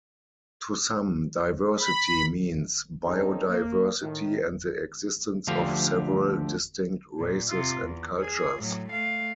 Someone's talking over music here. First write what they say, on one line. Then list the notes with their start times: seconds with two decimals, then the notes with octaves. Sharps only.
To some, diversity means bio-diversity and the existence of several distinct races and cultures.
1.80 B5
3.05 G#3 C4 C#4 D#4 G#4 A4
3.48 A#3
4.02 A2 D#3
5.47 D2 D3 F3 G4 F5
7.20 A#2
7.50 C3 F4
7.81 E2
8.20 G#4
8.58 A2 F#3
8.88 A3 F5